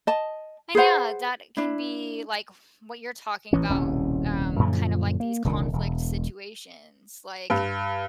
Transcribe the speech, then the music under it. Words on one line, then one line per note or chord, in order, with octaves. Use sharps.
and yeah, that can be, like, what you're talking about, um, kind of, like, these conflict situations, like
D#5 A5
G#4 B4 C5 F#5
D4 E4
A1 E3 C#4
D#1 C2 B2 C#4
F#2 A#2 D3 F3
A#3
E1 C#2 D3 D#3
E1
G2